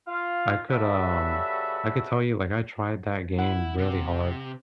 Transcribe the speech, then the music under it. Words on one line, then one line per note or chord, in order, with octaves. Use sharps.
I could, um, I could tell you, like, I tried that game really hard.
F4 F5
C#3 G3 F#4 A4 B4 E5
E4 F#5
C3